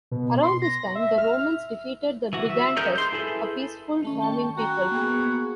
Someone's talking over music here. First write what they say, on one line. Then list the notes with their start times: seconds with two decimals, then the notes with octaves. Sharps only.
Around this time, the Romans defeated the Brigantes, a peaceful, farming people.
0.11 B2
0.43 C6
0.62 A#6
0.95 E5
1.18 F6
2.33 E3 F#4
2.50 E5
2.76 C#4 D#4 G#4 A#4 G6
2.96 C6 G6
3.12 E4 G#4 A4 B4
4.02 D#3 A3 C#4
4.21 G5 A5 C#6
4.57 F#4 G5 A#5
4.92 A#3 B3 G#4